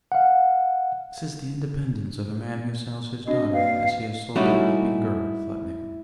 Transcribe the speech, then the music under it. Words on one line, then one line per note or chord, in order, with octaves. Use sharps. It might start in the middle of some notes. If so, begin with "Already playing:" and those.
'And this is the independence of a man who sells his daughter as he has sold that weeping girl!' thought Nicholas.
F5 F#5
C4 D4 F#4 D#5
A#3 B4 D5 F5
G3 A3 C#4 D#4 E4 F#4